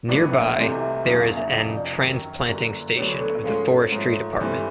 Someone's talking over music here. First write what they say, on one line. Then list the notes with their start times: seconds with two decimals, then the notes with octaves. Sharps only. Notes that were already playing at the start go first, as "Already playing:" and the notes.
Nearby, there is an transplanting station of the Forestry Department.
0.08 A#1 A2 F#3 B3 D4 D5
0.32 E5
0.56 C2 C3 E3 A3 C4 D#5
0.81 E5
1.05 E2 C#3 F#3 A#3 D4
1.21 F5
1.36 E5
1.53 F1 F2 C#3 D#5
1.76 D5
2.01 F#2 D#3 F#3
2.48 G1 F#2 D3 F#3 A#3
2.97 D2 D3 F#3 B3 D4 C#5
3.20 A4
3.44 G#2 F3 G#3 C#4 F4 A4
3.92 G#2 F3 A3 C#5
4.40 G2 E3 A3 C4